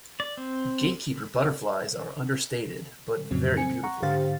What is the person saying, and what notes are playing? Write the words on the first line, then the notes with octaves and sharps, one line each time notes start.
Gatekeeper butterflies are understated but very beautiful.
D5
C4
F2 A2 C#3 F#3 C4
C4 G#5 C#7
F#5 A#5 C#6
G#2 D3 G4 C5 F5 A6